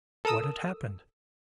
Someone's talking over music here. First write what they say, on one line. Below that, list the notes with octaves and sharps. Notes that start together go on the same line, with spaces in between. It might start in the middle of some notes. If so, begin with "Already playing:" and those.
What had happened?
A4 A#4 D#6 E6